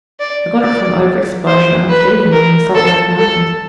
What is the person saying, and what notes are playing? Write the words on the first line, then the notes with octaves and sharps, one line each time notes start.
I got it from over-exposure and under-feeding among the Salt Lake Mountains.
D5
D5
C5
B4
A#4
A4
A4